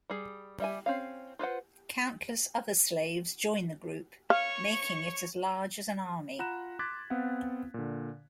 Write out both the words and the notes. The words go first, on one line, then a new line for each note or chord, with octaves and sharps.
Countless other slaves join the group, making it as large as an army.
G3 G#4
G3 E5 G#5
C4 C#4 F5
F4 B4 C5 F#5
C#5 F5 C#6
F4 F#5 A#5 B5 F#6 E7
C6 D6 F#6 G#6 A6 B6
B3 C4 F5 F#5
A#2 D3